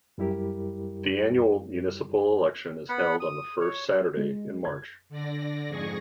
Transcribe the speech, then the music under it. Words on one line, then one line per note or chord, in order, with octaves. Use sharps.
The Annual Municipal Election is held on the first Saturday in March.
F#2 G3 E4 G4 A#4
B3 F#5 B5
D#6
C#5
G#3
G#6
D3 D5 A#6
F2 G#2 G#4 G#5 C#6 A#6